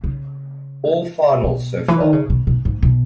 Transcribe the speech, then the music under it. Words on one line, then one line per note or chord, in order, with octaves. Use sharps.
All finals so far.
C#3
B2
E3
D#3
C#3
B2
B2
G#2
B2